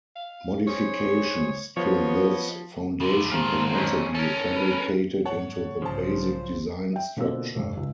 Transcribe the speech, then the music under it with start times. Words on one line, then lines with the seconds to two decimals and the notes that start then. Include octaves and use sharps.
Modifications to this foundation can also be fabricated into the basic design structure.
0.16 F5
0.67 G#4 C5 C#5
1.77 F3 B3 C#5 D#5
3.00 F2 D3
3.32 G#2 D#3 F4 C5 A5 A#5
3.74 F2 C#4
4.15 C#4 A4 A#4
4.55 B4
5.25 G#2 C#5 F#5 A5
5.82 B1 G#2 C#3 F3 F#3 C5 A5
6.93 E5 G5
7.17 B2 D3 A#3 C4 F4 E6
7.56 F1 G2
7.77 C#2